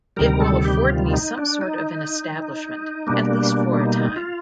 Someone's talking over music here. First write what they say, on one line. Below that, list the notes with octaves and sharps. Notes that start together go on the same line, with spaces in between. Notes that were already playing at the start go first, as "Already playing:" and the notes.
It will afford me some sort of an establishment, at least for a time.
D2 C3 D#3 G3 A#4
A4
G4
F4
D#4
D4
D#4
B2 G3 A#3 D4
D#4
F4